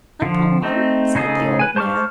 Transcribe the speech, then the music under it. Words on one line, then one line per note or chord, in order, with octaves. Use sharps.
"A poem," said the old man.
D3 F3
A3 C4 D#4
C#3 D#4 G#4 A4 D#6
B4 G#5
C5 A5 C#6 D6 F6